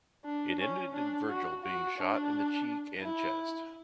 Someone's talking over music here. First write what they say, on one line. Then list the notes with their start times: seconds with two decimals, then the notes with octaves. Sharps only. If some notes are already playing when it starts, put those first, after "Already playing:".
It ended in Virgil being shot in the cheek and chest.
0.25 D4
0.59 C#4
0.93 D4
1.29 F#4
1.63 F#4
1.98 D4
3.03 E4